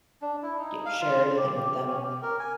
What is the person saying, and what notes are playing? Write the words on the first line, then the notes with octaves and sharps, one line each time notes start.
ge share anything with them-
D4
E4
D#4
F5
F4
G4
G4
C#4
G4
A#4
G#5